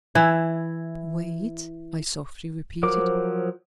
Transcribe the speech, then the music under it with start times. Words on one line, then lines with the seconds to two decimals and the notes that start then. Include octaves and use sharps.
"Wait?" I softly repeated.
0.15 E3 E4
2.83 F3 F#3 A#4 C5 D6